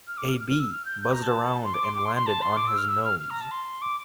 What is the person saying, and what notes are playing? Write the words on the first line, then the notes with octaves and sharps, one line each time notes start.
A bee buzzed around and landed on his nose.
F6
D6
F6
F6
F6
E6
F6
G6
G6
A#5
A5
C6
D6
C6
D6
C6
C6
A5
C6
D6
E6
F6
E6
F6
F6
A#5
A5
C6
D6